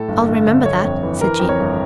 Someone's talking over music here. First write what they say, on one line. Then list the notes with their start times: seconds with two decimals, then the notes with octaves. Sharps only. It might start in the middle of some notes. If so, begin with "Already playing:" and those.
"I'll remember that," said Jean.
Already playing: A2 A4
0.08 G1
0.28 G1
0.47 D3
0.65 G1 C#5
0.83 F2
1.03 E3
1.21 E3 A#4
1.40 F2
1.49 C#5
1.59 G1